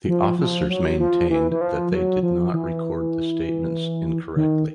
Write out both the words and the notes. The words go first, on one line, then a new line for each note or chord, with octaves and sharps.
The officers maintained that they did not record the statements incorrectly.
F3
F3
F#3
F3
E3
E3
F3
F#3
F3
E3
D#3